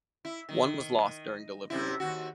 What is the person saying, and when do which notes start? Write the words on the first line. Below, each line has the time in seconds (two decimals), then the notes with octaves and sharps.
One was lost during delivery.
0.25 E4
0.49 D#3
1.70 F#2 C3 E4
2.00 D#2 F#4